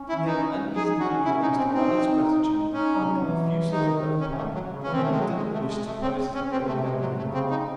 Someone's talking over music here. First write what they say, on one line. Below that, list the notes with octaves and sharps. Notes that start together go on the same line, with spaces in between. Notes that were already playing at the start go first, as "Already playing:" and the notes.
He had an uneasy feeling that Mr Waller's gratitude would be effusive and overpowering, and he did not wish to pose as the brave young hero.
Already playing: C#4
E4
D#4
D#4 G#4
D#4
C#4 F#4
C#4 E4
D#4
C4
C#4
C4 D#4
C#4 D#4
F#3
F#3
E3
D#3 D#4
D#3
C#4
A3
F#3
C#3
E3 C#4
D#3 C4
A3
G#3
F#3
G#3
A3
G#3
A3
C4
C#4
C4
C#3
C3 A3
G#3
F#3
C#3 A3
C4
D#4